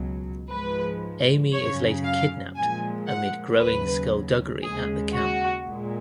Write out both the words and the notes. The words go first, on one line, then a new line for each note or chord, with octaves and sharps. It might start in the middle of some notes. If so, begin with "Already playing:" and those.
Amy is later kidnapped amid growing skulduggery at the camp.
Already playing: C#2 B2 F#3
G#2 F3 G#3 B4
F#2 C#3 F#3 C#5
F5
A#2 F3 G#3 G#5
F#5
D#2 C#3 F#3 B4
D#2 C#3 G#3 G#4
F#4
A#2 G#3